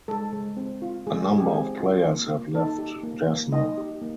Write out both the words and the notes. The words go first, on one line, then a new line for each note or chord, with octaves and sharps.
A number of players have left Desna.
G#3 A4
G#3
C4
F4
G#3 G#4
G#3 G#4
G4
G#4
C4
F4
A#3
A#3
D#4 A4
G4
A#3
A#3
D#4 D#5
G4
A#3